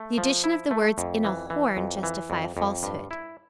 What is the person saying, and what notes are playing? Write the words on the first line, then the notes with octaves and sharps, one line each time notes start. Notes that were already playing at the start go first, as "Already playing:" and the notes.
The addition of the words "in a horn" justify a falsehood.
Already playing: A3
F3
E4
A3
F2
E3
E3
F2
E3
F2
F2
G2
E4